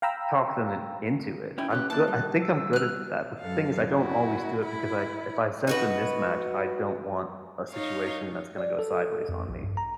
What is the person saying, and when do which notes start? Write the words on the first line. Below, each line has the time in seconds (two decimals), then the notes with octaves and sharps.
talk them in into it. I'm goo I think I'm good at that, but the thing is I don't always do it because I if I sense a mismatch, I don't want a situation that's gonna go sideways on me.
0.02 F5 G5 A#5 B5 E6
1.58 C#4 D#4 E4 G5
1.70 B3 C#4 G4 F#6
1.90 A#3 E4 A5 F#6
2.08 G3
2.42 E6
2.73 F6 F#6
3.39 F#2 A4 F5
3.88 E4 F#4
4.63 E4 B5
5.67 D#4 F#4 B4
7.72 D#4 C#5 F5
8.58 D5
8.79 A4
9.29 F2
9.49 A#1
9.63 G2
9.77 A#5